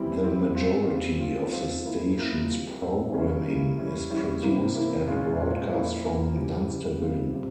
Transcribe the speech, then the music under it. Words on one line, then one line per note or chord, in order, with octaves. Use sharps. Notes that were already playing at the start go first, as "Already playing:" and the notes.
The majority of the station's programming is produced and broadcast from Dunstable.
Already playing: E3 G3 C4 E4
E3 G3 C4 E4
G3 C4 F4
G3 C4 F4
F3 C4 F4
F3 C4 F4
F3 A#3 E4
F3 A#3 E4
G3 C4 F4
G3 C4 F4
C#3 G3 A#3 C#4 E4
C#3 G3 A#3 C#4 E4
E3 G3 C#4 E4
E3 G3 C#4 E4
C3 E3 A#3 E4
C3 E3 A#3 E4
A#2 G#3 C#4 F4
A#2 G#3 C#4 F4
F3 A#3 E4
F3 A#3 E4
C#3 E3 G3
C#3 E3 G3
C3 G3 C4 F4
C3 G3